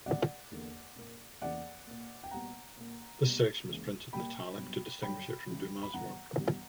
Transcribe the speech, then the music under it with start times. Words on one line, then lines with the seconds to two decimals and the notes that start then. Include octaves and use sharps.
This section was printed in italic to distinguish it from Dumas' work.
0.06 C#2 B2 G3 D5 F#5
0.51 E2 D3 A#3
0.96 A#2 A#3
1.41 E2 C#3 E3 A#3 D5 F#5
1.87 A#2 A#3
2.24 G5
2.31 A#2 G3 B3 F#5 A#5
2.77 A#2 A#3
3.22 B2 G3 A#3
3.68 C#2 C#3 E3 A#3
4.13 A#2 G3 A#3 G5 B5
4.58 G2 F#3 B3
5.03 G2 D3 F#3 G5 B5
5.49 C#2 C#3 E3
5.83 B5
5.94 G2 E3 B3 F#5 A#5
6.39 G2 E3 G3 B3